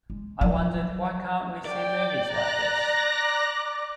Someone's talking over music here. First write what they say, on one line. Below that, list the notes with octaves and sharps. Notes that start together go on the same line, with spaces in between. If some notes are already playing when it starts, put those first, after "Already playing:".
I wondered, why can't we see movies like this?
G#3
F3 F#3
D5 G5
A#5 F#6 A#6